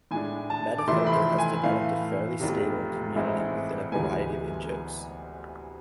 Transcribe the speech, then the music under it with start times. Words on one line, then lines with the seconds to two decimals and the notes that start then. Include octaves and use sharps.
MetaFilter has developed a fairly stable community with a variety of in-jokes.
0.11 A2 G#3 D4 G#5
0.50 A5
0.78 D6
0.88 F1 F2 E3 A3 E4 C6
1.06 B5
1.12 C6
1.38 G#5
1.63 A2 E3 A3 F5
2.40 F1 E2 C3
3.16 A1 G#2 G#3 C4 E4
3.92 D2 C3 E3 G#3 B3 G#5